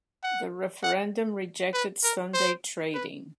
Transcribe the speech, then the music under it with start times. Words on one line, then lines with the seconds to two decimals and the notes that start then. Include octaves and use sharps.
The referendum rejected Sunday trading.
0.23 F#5
0.83 F#5
1.74 B4
2.04 A#4
2.34 C5
2.94 B4